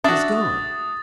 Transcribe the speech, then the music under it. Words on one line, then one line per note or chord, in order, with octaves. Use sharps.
"Has gone."
D4 F#4 E5 D#6 A6